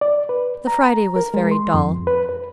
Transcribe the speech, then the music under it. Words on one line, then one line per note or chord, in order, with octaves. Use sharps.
The Friday was very dull.
D5
B4
A#5
A#4
G#3
C6
F2
B4
B4